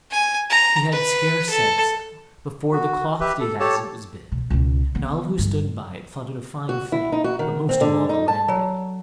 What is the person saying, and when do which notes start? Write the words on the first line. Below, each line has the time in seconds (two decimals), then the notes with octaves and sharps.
He had scarce said so before the cloth did as it was bid; and all who stood by thought it a fine thing, but most of all the landlady.
0.11 G#5
0.50 A#5
0.92 B4
1.50 A4
2.73 F#4
3.20 G4 B4 E5
3.40 A4
3.60 G4 A4 C#5 A5
4.32 B2
4.50 C#2 B2
4.95 B3
5.38 G2 D3
6.69 F#4
6.92 E4
7.12 D#4
7.24 F#4
7.39 D#3
7.69 C4
7.81 D3
8.09 D#4
8.28 A5
8.48 F#3